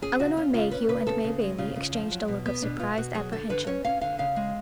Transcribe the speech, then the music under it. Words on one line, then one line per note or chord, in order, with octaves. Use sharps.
Elinor Mayhew and May Bailey exchanged a look of surprised apprehension.
C#4 G#4
C#3 F#4
C#4 F4
C#3 F4
C#4 B4
C#3 B4
C#3 A4
C#3
G#3
C#3 F4
C#3
F3
F#3
B2
B3
B2 D4
B2 F4
B2 F#4
F#3 G#4
D3 A4
D3 B4
C#4 C#5
C#4 F5
D3 F5
C#3 F5
G#3